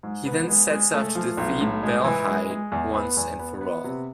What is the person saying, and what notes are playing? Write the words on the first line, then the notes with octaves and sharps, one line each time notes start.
He then sets off to defeat Baelheit once and for all.
G#2
B3
G#3
G#3
A3
F3
B1
A2
G#3
E3
G#3
G#3
E2
B3
E2
B3
B3
C3